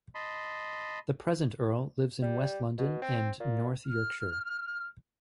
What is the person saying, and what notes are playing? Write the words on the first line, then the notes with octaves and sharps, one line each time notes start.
The present Earl lives in West London and North Yorkshire.
D#5 A5 B5 C6
G3
B2
C4
A#2
F6